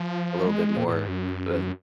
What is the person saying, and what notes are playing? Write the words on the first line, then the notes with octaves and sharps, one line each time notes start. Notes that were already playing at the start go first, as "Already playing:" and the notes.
a little bit more, uh,
Already playing: F3
G#3
A#2
A#2
G#2
F#2